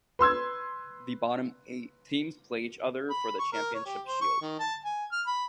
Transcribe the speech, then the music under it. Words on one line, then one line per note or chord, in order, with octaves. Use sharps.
The bottom eight teams play each other for the Championship Shield.
B4 C6 E6 G#6
B5
C#6
A#4
C#5
G4
C5
C#6
D#3
A5
G#5
F6
B5